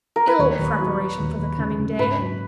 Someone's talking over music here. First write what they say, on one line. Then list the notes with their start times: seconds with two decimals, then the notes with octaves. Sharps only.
Ill preparation for the coming day!
0.16 A#4
0.27 B4
0.39 D#2 C#5
0.59 D#2
0.79 F#3
0.98 F#3
1.20 D#2
1.39 D#2
1.58 C#3
1.79 C#3
1.99 G#2 B4
2.19 F#3